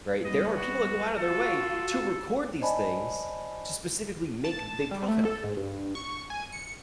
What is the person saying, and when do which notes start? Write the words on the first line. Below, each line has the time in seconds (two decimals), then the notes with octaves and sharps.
right, there are people that go out of their way to record these things to specifically make m they profit off of it,
0.25 G3 B3 D#5
0.58 F#4
1.18 F4 F#4 A4
2.61 C5 D5 D#5 G#5 A5 B5
4.44 A5
4.91 G3
5.08 A3
5.25 A4
5.44 G#2
5.57 G2
5.95 C#6
6.30 G#5
6.52 C#7